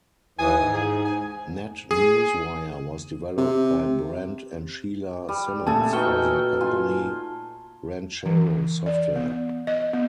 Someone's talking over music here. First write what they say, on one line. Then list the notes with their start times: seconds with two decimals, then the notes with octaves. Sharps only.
NetNewsWire was developed by Brent and Sheila Simmons for their company Ranchero Software.
0.39 D#2 E3 G#5 D#6
0.60 G#2
0.74 G#4
1.05 G#5
1.91 G#4
3.38 C3
5.29 G3
5.67 A#2 A3 A4 G#5 A5 D#6
5.93 D#4 F#4 B4 G5 C#6 F6 G7
6.61 F4 G#5
8.26 E3
8.86 D5
9.16 B3
9.67 D#5
9.93 B3